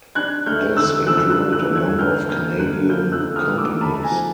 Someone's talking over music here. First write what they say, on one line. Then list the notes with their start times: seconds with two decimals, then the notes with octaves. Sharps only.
This included a number of Canadian companies.
0.15 D4 F#6 G#6
0.46 A3 F6 G6
0.77 D3 E6 F#6
1.07 F3 E6 F#6
1.30 E6 F#6
1.37 D4
1.52 E6 F#6
1.68 A3
1.75 F#6 G#6
1.98 D3 F6 G6
2.29 A#3 F6 G6
2.59 D3 F#6 G#6
2.89 F3 F6 G6
3.12 E6 F#6
3.20 D3
3.36 D#6 F6
3.50 A#3
3.58 D6 E6
3.81 A3 A5 B5
4.03 G#5 A#5
4.12 F3